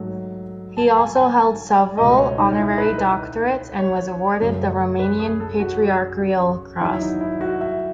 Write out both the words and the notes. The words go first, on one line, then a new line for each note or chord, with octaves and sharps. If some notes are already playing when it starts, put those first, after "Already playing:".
He also held several honorary doctorates, and was awarded the Romanian Patriarchal Cross.
Already playing: G#2 F#3 A3
A5
G#5
G#5
A5
C#2 B2 A3 D#5
C#5
D#4
E4
B4
B4
C#5
F#2 C#3 F#3 A3
B4
G#4
A4
F#4
E2 D#3 F#3 E4
D#4
E4
F#4
E5